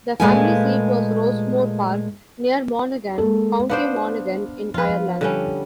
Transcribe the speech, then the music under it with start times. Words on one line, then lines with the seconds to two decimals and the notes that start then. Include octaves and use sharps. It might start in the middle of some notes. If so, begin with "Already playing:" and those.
The family seat was Rossmore Park, near Monaghan, County Monaghan, in Ireland.
0.20 A#2 G#3 A3 B4 F5 G#5
3.18 G#3 A#3 A4
3.70 B3 D4 C5 F5
4.74 F3 F4 B4
5.21 D3 G3 C#4